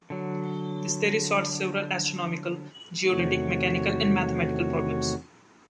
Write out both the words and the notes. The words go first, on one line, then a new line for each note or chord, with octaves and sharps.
This theory solved several astronomical, geodetic, mechanical and mathematical problems.
D3 F#3
E2 C3 D#3 A3 F#4 C#5